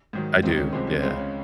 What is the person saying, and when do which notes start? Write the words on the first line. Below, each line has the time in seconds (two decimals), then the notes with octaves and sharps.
I do, yeah.
0.13 G#2 D#3 F#3
0.43 C#2 C3 D#3 C4
0.58 C#4
0.73 C2 C3 F3 G#3 C4
0.87 C#4
1.02 C#2 C#3 G#3 C4
1.17 C#4